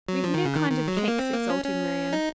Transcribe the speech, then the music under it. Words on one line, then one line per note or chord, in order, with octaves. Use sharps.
"We've a new kind of cakes," exulted Miriam.
F#3
F3
D#3
C#3
D#3
D#3
F#3
G#3
A#3
C4
A#3
C#4
C#4
D#4